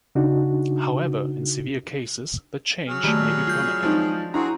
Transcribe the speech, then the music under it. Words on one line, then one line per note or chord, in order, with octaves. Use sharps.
However, in severe cases, the change may be permanent.
C#3 D4 D#4 F#4
F#3 G#4 F6
D#3 G3 A3
F4 G6
F3 G#3 C4 D4 D#4
C4 D4 E4 F#4 G#4 A#5 C6